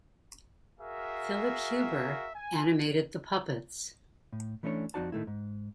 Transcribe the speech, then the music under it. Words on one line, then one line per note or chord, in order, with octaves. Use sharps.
Phillip Huber animated the puppets.
F#4 G#4 A#4 E5 F5
G#5
A2
E3 A3 C#4 D4 C#5
F2 C#4 D#4 F#4 D5 A5
A2 D#3 A3 E4
G#2